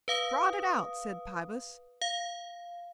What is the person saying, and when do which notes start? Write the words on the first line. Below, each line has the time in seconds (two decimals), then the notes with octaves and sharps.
"Trot it out," said Pybus.
0.08 B4 F5 D#6
2.02 F5